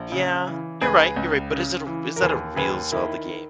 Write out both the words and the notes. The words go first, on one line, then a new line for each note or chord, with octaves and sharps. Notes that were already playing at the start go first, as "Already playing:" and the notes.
Yeah, you're right, you're right, but is it a r is that a real Zelda game?
Already playing: A#1
C#3
E3
C#2 G#4 B4
C#2
C#3
E3
A#4
D#2 G#4 B4
D#2 G#4 B4
D#3 E4